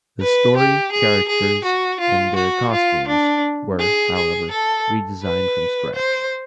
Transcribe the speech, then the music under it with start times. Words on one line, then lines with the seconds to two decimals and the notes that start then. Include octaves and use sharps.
The story, characters and their costumes were, however, re-designed from scratch.
0.21 B4
0.57 G4
0.92 G#4
1.28 G#4
1.64 F#4
2.00 F4
2.36 F#4
2.72 F4
3.08 D4
3.79 G#4
4.16 G#4
4.51 A4
5.23 B4
5.95 C5